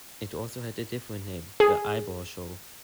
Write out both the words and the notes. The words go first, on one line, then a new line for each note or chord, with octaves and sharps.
It also had a different name: The Eyeball Show.
G#4